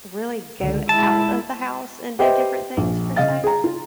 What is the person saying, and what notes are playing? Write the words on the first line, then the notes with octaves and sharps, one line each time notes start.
really go out of the house and do different things per se,
C#2 D3
G#3 E4 A5
G4 B4 C5 D#5 E5 G5
A#1
C#3 D#5 F5 A6
G#4 A#5
F4